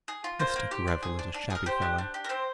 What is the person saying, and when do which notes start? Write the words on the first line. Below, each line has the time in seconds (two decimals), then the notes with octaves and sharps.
Mr. Greville is a shabby fellow!
0.08 G#4
0.24 F4
0.39 A#3 C5
0.56 A#3
0.71 G4
0.88 D4
1.03 G#4
1.19 D4
1.34 D4
1.50 G#4 A#4
1.66 G4 C5
1.82 D4
1.98 D4
2.14 G4
2.24 A#4
2.29 C4 C5